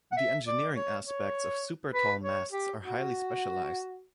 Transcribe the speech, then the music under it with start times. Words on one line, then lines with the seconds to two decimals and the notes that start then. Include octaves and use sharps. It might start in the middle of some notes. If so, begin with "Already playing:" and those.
The engineering aspects of super-tall masts are highly specialized.
0.12 F#5
0.17 E5
0.47 D5
0.76 C#5
1.05 C#5
1.93 B4
2.23 C#5
2.52 G4
2.81 F#4